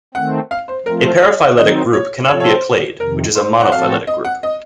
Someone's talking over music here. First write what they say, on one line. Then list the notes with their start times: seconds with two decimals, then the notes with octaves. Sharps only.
A paraphyletic group cannot be a clade, which is a monophyletic group.
0.14 D#3 A3 C4 F#5
0.51 F5
0.68 C5
0.86 F3 A3 C4 F4 A#4
1.04 C5
1.22 C#5
1.57 D#3 F#3 C4 D#4 D#5
1.93 C#5
2.28 C3 F3 C4 F4 A4 C#5
2.40 C#5
2.46 C5
3.00 F2 C3 D#3 A#4
3.35 C5
3.61 F#5
3.72 A2 F3 C4 F#4 A4 F5
4.07 D#5
4.25 F#5
4.43 D#5